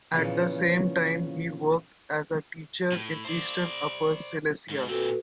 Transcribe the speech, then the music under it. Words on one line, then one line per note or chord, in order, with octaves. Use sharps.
At the same time, he worked as a teacher in eastern Upper Silesia.
A#2 C#3 E3 F3 B3 C#4
A2
C5 D5
G#2
A#2 C4 F#4 A4 B4